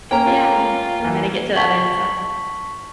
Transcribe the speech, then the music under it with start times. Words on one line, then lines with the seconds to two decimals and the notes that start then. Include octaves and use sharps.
Yeah. I'm gonna get to the other side.
0.11 A#3 C#4 G5 A#5
0.27 F4
1.00 E3 A#3
1.56 A5 C#6 B6 F#7 G7